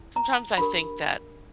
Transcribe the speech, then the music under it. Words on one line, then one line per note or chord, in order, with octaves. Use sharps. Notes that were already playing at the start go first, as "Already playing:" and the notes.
Sometimes, I think that
Already playing: E4
A#5
D4 G4 A#4 B5